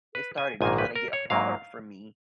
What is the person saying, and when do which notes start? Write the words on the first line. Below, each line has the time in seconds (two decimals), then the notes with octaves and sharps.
it started to kinda get hard for me,
0.15 B4
0.38 G#5
0.61 A#1 G#2 D#3 A#3 G#5
0.78 B4
0.95 A#4
1.13 C#5
1.30 G#2 F#3 A#3 F5